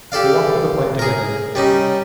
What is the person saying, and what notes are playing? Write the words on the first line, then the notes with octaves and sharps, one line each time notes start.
They walked to the plane together.
G4 A4 D5 F5
G#4 A#4
G3 C#4 D#4